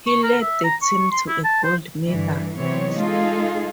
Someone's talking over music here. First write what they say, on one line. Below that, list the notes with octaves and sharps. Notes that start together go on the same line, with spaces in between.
He led the team to a gold medal.
C#6
A#4
E5
A#5
C#6
C6
E4
A5
C5
G2 D3 E3
C3 E3 F#3 B3 C4 C#5
G#3 D#4 F4 G#4 A4